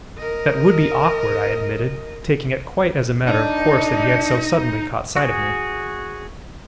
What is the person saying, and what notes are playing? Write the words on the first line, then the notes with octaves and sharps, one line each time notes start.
That would be awkward, I admitted, taking it quite as a matter of course that he had so suddenly caught sight of me.
A#4 D#5
D4 D#4
F#4 G#4